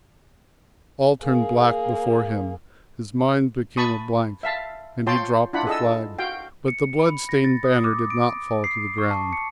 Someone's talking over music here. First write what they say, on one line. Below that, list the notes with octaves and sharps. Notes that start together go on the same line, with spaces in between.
All turned black before him, his mind became a blank, and he dropped the flag; but the blood-stained banner did not fall to the ground.
A#3 G#4
A5 B5 C#6 D#6
E5 F5 A5
F4 C#5 G5 A5 C6
D4 E4 F4 F#5 B5
G#4 A4 D#5 E6
F#4 F5 G5
C#7
B5
A#6
A6
D#6
D6
D7
C7
C#6
A5
C#7